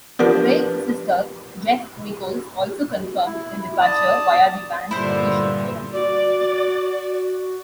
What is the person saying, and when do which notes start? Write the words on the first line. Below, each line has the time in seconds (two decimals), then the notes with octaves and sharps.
Craig's sister, Jess Nicholls, also confirmed their departure via the band's official forum.
0.19 F3 B3 D4 G4 A#4 B4 F#5
3.26 E4
3.81 D5 A5 D#6
4.91 G2 A#2 D3 E4 C5
5.93 F#4 D5